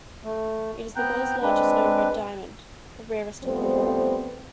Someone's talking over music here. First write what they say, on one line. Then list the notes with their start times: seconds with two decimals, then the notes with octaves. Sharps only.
It is the world's largest known red diamond, the rarest of them all.
0.24 A3
0.96 B3 C4 G5 A#5 F#6 G6
1.42 G#3 C4 D4 B4
3.44 F3 G3 A3 B3 C4